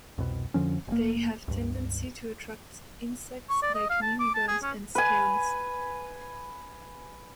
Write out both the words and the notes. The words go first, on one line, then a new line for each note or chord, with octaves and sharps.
They have a tendency to attract insects like mealybugs and scales.
C2 F2 B2
F2 D3 F3 C#4
F1 A#3
C#2 G2
C#6
D5
D#5
F5
A5
D6
A5
G#4
C#4
B4 G#5